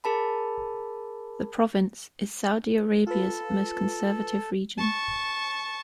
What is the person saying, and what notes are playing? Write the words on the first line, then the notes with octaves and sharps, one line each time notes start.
The province is Saudi Arabia's most conservative region.
G#4 A#4 A5 B5
F4 A4 B4
A5 C#6